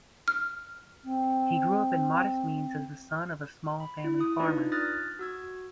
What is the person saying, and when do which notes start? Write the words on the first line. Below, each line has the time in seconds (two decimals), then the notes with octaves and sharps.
He grew up in modest means as the son of a small family farmer.
0.28 F6
1.04 C4
3.80 B5
4.04 E4
4.20 E4 D#6
4.39 D4 D#4 F4 B4 D5
4.72 D#6 F6 F#6 A6 A#6
5.19 F#4 E6 G#6